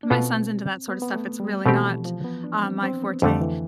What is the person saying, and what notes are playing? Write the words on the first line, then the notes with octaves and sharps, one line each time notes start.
My son's into that sorta stuff, it's really not, um, my forte.
D4
B2 B3 C4 F4 A4
B3
B3
A3
G3
B2 E3 A3 C4 G4
F3
F3
B3
D4
C4
C4
B3
F2 D3 E3 A3
E3